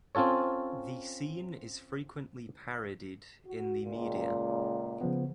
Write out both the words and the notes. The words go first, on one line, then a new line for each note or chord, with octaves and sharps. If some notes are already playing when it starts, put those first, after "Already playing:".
The scene is frequently parodied in the media.
C4 C#4 F4 A4 C#5
F#4
C#2 A#2
C#3 F3 B3